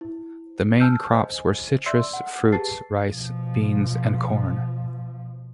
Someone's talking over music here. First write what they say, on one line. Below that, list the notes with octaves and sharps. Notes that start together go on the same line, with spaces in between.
The main crops were citrus fruits, rice, beans, and corn.
E4
G#5 A5 E6 F6 G6
C5 D#5 G#5
D5 E5 C6 E6
F#5
G4 G#4 B4 A5 A6 C7
B2 F3